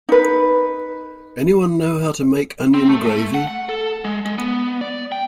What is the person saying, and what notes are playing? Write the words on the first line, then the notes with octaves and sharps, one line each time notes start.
Anyone know how to make onion gravy?
D#4 B4
C4
A3
A3
F#5
F#5
A4
G#3
G#3
B3
D5
G5